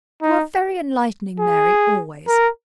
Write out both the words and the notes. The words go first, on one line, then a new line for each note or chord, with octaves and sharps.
You are very enlightening, Mary, always.
D#4
G#4
A#4